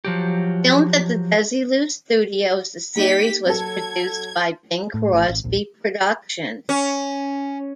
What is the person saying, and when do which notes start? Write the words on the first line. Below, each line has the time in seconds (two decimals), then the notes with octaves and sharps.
Filmed at the Desilu Studios, the series was produced by Bing Crosby Productions.
0.05 F3 F#3 G4
2.96 A#3 D#4 G4 D#5 B6
3.46 F#3 A4 G#6
4.94 A2
5.13 A1 A2
5.29 A1
5.44 D#1 A#1
6.69 C#4